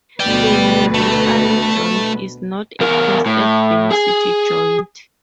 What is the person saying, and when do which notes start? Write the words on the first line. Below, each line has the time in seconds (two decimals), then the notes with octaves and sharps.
The universal joint is not a constant-velocity joint.
0.20 D2 B2 B4 D5 G5
0.94 A3
2.80 E2 A#4
3.26 A2
3.91 G#4 G#5